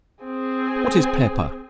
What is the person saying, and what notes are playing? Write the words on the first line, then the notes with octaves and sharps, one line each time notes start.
What is Pepper?
C4 G#4